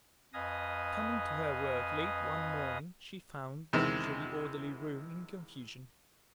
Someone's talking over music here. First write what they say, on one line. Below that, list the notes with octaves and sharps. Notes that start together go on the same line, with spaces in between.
Coming to her work late one morning, she found the usually orderly room in confusion.
F2 B4 D#5 F5 G#5 D#6
E2 C3 D#3 G#3